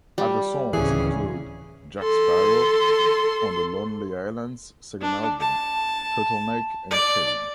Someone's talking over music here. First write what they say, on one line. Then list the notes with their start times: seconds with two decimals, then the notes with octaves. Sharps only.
Other songs include "Jack Sparrow" on The Lonely Island's second album, "Turtleneck and Chain".
0.18 G3
0.73 D1 C#3 E3 C#4 G#4
1.99 A4 C6
5.01 D4
5.40 A5
6.91 D5